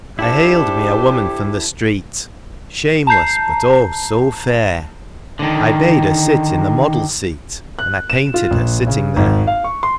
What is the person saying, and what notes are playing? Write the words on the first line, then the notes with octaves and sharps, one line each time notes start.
I haled me a woman from the street, Shameless, but, oh, so fair! I bade her sit in the model's seat, And I painted her sitting there.
D4 E4 G4 A4 C5 D6
A5 A#5 G6 C7
D3 D#3
F#6
E7
F4
A#1
C#3
G#1
F5
C#6
C6